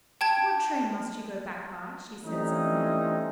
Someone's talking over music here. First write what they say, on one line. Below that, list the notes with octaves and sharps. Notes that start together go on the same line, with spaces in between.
"What train must you go back by?" she said suddenly.
G5 A5 G#6
E3 G3 A3 C4 C#4 D#4